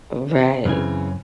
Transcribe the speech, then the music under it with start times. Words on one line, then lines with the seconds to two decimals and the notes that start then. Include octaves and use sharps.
Oh, right.
0.65 F#2 C#3 E3 C4 G#5